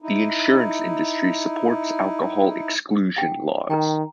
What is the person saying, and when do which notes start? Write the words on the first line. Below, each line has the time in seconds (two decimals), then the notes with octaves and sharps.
The insurance industry supports alcohol exclusion laws.
0.02 D#4 E4
3.16 F#5 G5
3.70 D#3 G5 A#5